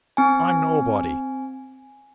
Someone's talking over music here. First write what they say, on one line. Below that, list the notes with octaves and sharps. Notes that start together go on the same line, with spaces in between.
I'm nobody.
C4 G#5